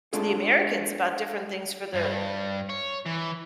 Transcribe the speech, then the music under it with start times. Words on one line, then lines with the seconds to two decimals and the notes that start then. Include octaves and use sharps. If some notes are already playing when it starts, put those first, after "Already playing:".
to the Americans about different things for the
0.13 G#3 A3 D4 F4 G#4 A4
1.94 G2
2.70 C#5
3.06 E3